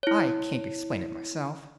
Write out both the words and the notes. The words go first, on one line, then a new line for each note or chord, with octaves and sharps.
"I can't explain it, myself."
E4 C#5